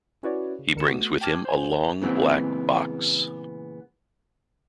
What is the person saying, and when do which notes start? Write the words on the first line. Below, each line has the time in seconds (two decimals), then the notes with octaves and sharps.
He brings with him a long, black box.
0.23 C#4 E4 F#4 B4 C#5 D5
0.59 C#3
0.75 C#2 D3 A#4 C#7 E7
0.88 A3 B3 F#4
1.21 G5 A5 D6 F6 G#6
1.45 C5 G#5
2.02 A#2 C#3 E3 G#3 B3 C4